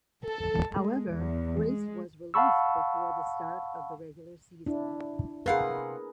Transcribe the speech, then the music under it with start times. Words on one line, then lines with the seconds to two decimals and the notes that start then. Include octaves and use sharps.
However, Groce was released before the start of the regular season.
0.24 A4
0.69 G#3
1.15 E2
1.60 G#3
2.34 F5 F#5 A5 B5 C#6 E6
4.66 D4 E4
5.46 C3 G#4 A#4 B4 F5 F#5